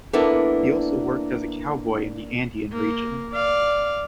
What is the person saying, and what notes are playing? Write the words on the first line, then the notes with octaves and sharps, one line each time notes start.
He also worked as a cowboy in the Andean region.
A#3 B3 D4 E4 A4
A#3
D5 F5